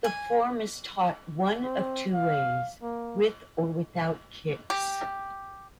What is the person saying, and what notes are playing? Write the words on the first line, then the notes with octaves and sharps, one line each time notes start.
The form is taught one of two ways: with or without kicks.
G#5
C4
F5
A#3
G4